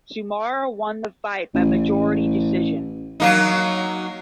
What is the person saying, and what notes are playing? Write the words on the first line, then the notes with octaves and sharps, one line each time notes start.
Tsumura won the fight by majority decision.
A1
F#3 A#3 D#4